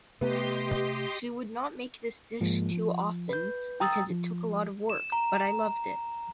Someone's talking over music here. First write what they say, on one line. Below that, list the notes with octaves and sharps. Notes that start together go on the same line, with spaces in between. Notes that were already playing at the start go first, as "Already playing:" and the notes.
She would not make this dish too often because it took a lot of work, but I loved it.
C3 A3 B3 G4 D#5 C6
G#2 F3 G#3 A#3
F3
B4 G6
G5 A#5 D#6 E6 A6
F3
E7
A#5